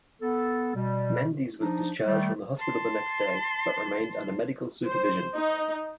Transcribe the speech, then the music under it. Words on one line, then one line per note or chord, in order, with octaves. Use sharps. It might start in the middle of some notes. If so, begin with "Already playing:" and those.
Mendes was discharged from hospital the next day, but remained under medical supervision.
B3 A4
B2 G3
F3 D4 D#4
D#3 G3 A3
A5 C6
C5
D#4